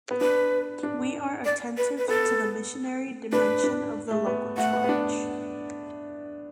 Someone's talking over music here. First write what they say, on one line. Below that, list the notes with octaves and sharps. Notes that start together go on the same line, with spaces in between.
We are attentive to the missionary dimension of the local Church.
B3
D4 B4
D4
D5
B4
B4
B3 A4
D4 B4
D4
A3
B3
A3 F#5
B3
B3
D4